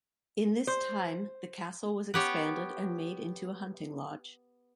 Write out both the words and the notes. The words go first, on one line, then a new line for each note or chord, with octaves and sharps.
In this time, the castle was expanded and made into a hunting lodge.
C5
B3 G4 C#5